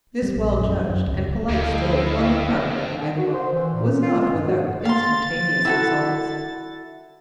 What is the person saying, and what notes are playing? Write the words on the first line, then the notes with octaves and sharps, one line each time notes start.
This well-judged and politic stroke on the part of Magua was not without instantaneous results.
G3
A#1
F#2
F#2
C#2
D2 G2 E4 A4 D#5 F5
F#4
C5
E3
A#2
C#4
F4
G#3
G2
F#4
F5 C6 A6
E4 F#4 A4